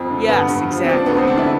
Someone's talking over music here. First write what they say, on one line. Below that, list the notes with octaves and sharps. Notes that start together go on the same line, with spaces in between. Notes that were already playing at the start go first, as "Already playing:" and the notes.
Yes, exactly.
Already playing: F2 F3 C4
D3
G2 B3
G2
F3
C4
F3 D4
D2 B3
C4
D3 D4
E4